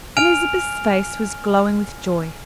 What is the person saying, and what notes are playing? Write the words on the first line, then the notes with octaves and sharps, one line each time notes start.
Elizabeth's face was glowing with joy.
G#5 F6 D7 F7